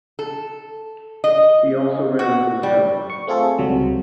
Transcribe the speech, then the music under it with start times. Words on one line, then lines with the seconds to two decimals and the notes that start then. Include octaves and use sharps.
He also ran a hotel.
0.19 A4
1.24 D#5
2.19 F#4
2.63 G3
3.10 C#6
3.27 A3 C4 F4 G#4 A4
3.58 C#2 C3 F#3 G3